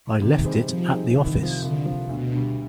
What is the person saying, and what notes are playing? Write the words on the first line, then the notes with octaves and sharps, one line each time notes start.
I left it at the office.
C3 D#3
G3 C4 D#4 G#4
C3 F3
G3 C4 D#4 G#4
C2 D#3
C3 F3
C2 D3
C3 F3
D2 B2
D3 G3